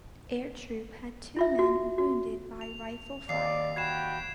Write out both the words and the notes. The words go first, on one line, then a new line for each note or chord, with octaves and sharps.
Air Troop had two men wounded by rifle fire.
E4 F4 E5
F#4
F#4
F7
D#2 D5 C7
F#4 G5 B5 G#6 C7 E7